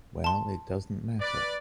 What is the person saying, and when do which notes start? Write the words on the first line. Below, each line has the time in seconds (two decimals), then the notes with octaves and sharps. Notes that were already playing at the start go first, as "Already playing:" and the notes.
Well, it doesn’t matter.
0.24 A5 C6
1.21 B4 D5